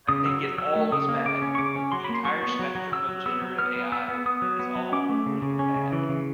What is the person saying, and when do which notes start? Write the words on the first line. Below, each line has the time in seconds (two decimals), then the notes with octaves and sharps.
I think it all is bad, like, the entire spectrum of generative AI is all really bad, and,
0.08 C#3 D#6
0.25 F#3 E6
0.41 F#3
0.58 F#3 E6
0.75 A3
0.92 C#3 D#6
1.09 A#3
1.25 C#3 D6
1.42 C#4
1.55 C#6
1.58 C#3 D6
1.76 C#4
1.92 F#3 C6
2.04 A#3 B5
2.15 C6
2.25 F#3 C#6
2.43 B3
2.59 F#3
2.75 F#3
2.92 F#3 E6
3.09 F#3
3.26 B3 E6
3.42 F#3
3.59 B3 F6
3.76 B3
3.92 B3 E6
4.08 B3
4.26 B3 D#6
4.42 F#3
4.59 B3
4.76 F#3
4.92 C#4 D6
5.09 A3
5.26 C#3
5.42 C#3
5.59 C#4
5.76 C#3
5.92 E3
6.09 C#3